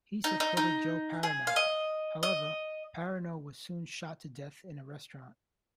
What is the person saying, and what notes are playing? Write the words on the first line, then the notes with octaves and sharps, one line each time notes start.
He supported Joe Parrino; however, Parrino was soon shot to death in a restaurant.
D#4
D#4
D#4
G#4
F5
D#5
D#5